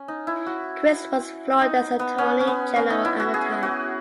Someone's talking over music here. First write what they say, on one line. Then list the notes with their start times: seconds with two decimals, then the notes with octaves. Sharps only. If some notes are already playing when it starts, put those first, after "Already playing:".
Crist was Florida's Attorney General at the time.
Already playing: C#4
0.08 D#4
0.27 E4
0.46 F#4
1.61 D#4
2.00 B3
2.18 C#4
2.40 C#4
2.47 B3
2.76 C#4
2.90 D#4
3.05 E4
3.20 F#4
3.34 G#4
3.63 F#4